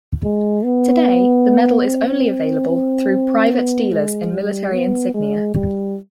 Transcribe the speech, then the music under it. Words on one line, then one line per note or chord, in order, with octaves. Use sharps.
Today, the medal is only available through private dealers in military insignia.
G#3
B3
C4
C4
B3
G#3
G3
B3
G#3
G3